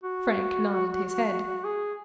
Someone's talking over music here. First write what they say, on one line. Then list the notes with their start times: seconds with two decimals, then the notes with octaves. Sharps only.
Frank nodded his head.
0.03 F#4
1.65 G#4